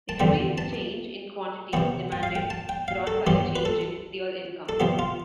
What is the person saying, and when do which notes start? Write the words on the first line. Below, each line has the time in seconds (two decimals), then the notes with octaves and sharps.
It reveals the change in quantity demanded brought by a change in real income.
0.09 A5
0.20 E2 D3 G3 G5
0.58 A5
1.73 C3 E3 B3 G5
2.12 G5
2.23 F5
2.35 G5
2.50 A5
2.69 G5
2.88 F5
3.07 A4
3.27 G2 E3 B3 G4
3.56 B4
3.65 A4
4.69 A4
4.80 C3 F3 B3 G4
4.99 F4